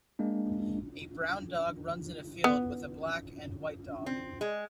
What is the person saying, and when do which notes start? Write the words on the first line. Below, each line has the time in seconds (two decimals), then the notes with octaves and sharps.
A brown dog runs in a field with a black and white dog.
0.19 G#3 A#3 D4
2.44 B3
4.06 C4
4.41 G#3